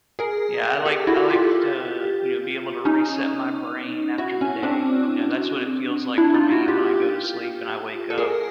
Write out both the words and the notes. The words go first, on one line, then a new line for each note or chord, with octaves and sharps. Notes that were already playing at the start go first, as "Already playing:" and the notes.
Yeah. I like I like to, you know, be able to reset my brain after the day. You know, that's what it feels like for me when I go to sleep and I wake up.
G#4 A#4
G4 A4
E4 F#4
F4 G4
C#4 D#4
E4 F#4
C#4
C4 D4
D4 E4
D#4 F4
E4 F#4
F4 G4
A4
G#4 A#4